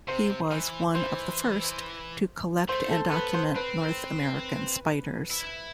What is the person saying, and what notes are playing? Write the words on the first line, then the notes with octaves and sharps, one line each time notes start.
He was one of the first to collect and document North American spiders.
C3 C5
E3
E3 C5
A3 C5
A4
B3 B4
C5
C4 B4
E4